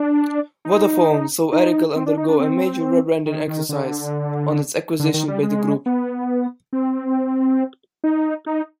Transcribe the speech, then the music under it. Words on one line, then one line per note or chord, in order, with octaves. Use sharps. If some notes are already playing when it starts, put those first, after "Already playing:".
Vodafone saw Eircell undergo a major rebranding exercise on its acquisition by the group.
Already playing: D4
D#4
D#4
C4
D4
D#4
D4
C4
D#3
D#3
D3
D3
D#3
G3
G#3
B3
C4
D#4
D#4